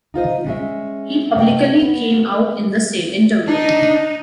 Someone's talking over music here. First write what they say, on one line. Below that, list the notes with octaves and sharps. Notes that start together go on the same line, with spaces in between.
He publicly came out in the same interview.
D#4 F4 C5 D#5
G#3 C#4 E5
C3 A3 C#5 D#5 G5
B3
D4 D#4 D#5